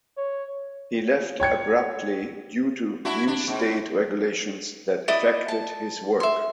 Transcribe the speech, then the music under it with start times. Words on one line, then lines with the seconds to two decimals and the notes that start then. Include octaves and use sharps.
He left abruptly due to new state regulations that affected his work.
0.17 C#5
1.40 C#5 G5 G#6 C#7
3.05 D4 E4 F#4
3.27 D4
3.48 G#2
5.08 E4 D5 D#5 D#6
5.48 A5
6.20 E5 C6